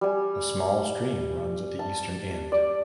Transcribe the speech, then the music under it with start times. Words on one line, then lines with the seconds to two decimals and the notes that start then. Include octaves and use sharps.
A small stream runs at the eastern end.
0.01 G3 G#5
1.79 A5
2.52 D5